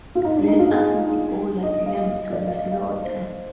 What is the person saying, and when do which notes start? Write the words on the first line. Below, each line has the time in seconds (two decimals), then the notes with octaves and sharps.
Let us not go like lambs to the slaughter!
0.15 F4
0.24 D#4
0.36 D4
0.48 D#4
0.59 F4
0.71 G#4
1.63 D#5
1.86 F5
2.10 D#5
2.33 D5
2.47 F5
2.56 D#5
2.72 F5
2.87 D#5
3.02 C5